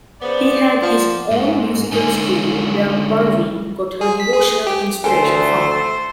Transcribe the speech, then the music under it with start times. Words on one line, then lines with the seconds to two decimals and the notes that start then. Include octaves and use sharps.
He had his own musical school where Parveen got her devotional inspiration from.
0.22 C#3 B3 C5 D5
0.82 F3 F#5
1.31 G#2
1.92 D3 G#3 C#4 D#4 G#5
4.01 G#4
4.20 B6
4.33 G#4
4.67 G4
5.04 D2 A3 C5 G#5